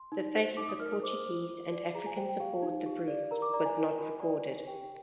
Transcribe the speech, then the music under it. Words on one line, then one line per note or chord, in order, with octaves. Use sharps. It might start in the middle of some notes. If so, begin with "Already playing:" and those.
The fate of the Portuguese and Africans aboard the "Bruce" was not recorded.
Already playing: C6
D#4
C5
D#4 D6
D#6
A#4 F6
D#6
C5 D6
C5
F4
D5
G#4 A#5
G#5
C5 G5
G5
G4 F5
D#4
G4
D5
A#4 A#5
D6
D5 A#5
G#5
A#4 G#5
F4
D5
G4
G4 G5